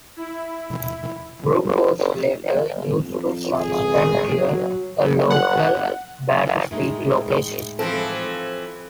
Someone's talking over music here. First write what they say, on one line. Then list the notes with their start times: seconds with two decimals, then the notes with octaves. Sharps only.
Brooke was later used to substantiate a local battlefield location.
0.17 E4
2.94 F2
3.56 G#1 C#2 G#4
4.36 F#3
5.31 F#5
6.71 A2 G#3 D#4
7.79 E3 F3 C4 A4